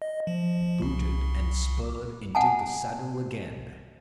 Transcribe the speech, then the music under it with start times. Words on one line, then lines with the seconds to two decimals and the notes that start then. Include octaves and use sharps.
Booted and spurred, into the saddle again!
0.02 D#5
0.27 F3
0.82 C2
2.35 F#5 G#5 A5